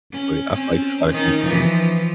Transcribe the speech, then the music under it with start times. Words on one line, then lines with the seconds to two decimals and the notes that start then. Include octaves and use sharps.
but, I finds finds things to do.
0.12 C#4
0.52 C4 C#4
1.12 D#3 C#4 D#4
1.43 E3 F3